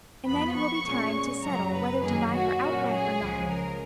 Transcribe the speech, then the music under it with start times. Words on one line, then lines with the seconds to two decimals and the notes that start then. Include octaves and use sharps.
And then it will be time to settle whether to buy her outright or not.
0.26 F2 F3 B3 B5
0.54 C#6
0.84 A#2 G#3 C#4
1.43 F#2 C#3 F#3 A#5
1.72 B4
2.02 F#2 D#3 F#3 A#3 G#4
2.31 F#4
2.60 A#2 F#3 A#3 C#4 F#4
2.89 G#4
3.19 C#2 C#3 F3 G#3
3.49 A#4